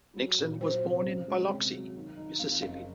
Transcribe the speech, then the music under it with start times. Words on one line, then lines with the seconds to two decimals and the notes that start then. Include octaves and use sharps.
Nixon was born in Biloxi, Mississippi.
0.16 F#3
0.39 A#2
0.61 F#3 C5
0.83 C3
1.06 C#3
1.28 G#3
1.50 C3 C#5
1.72 F#3
1.95 D#3
2.17 D#4
2.39 F2 F5
2.61 F#1 F5